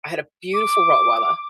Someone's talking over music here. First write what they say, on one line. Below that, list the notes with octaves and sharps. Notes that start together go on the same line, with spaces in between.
I had a beautiful Rottweiler
D6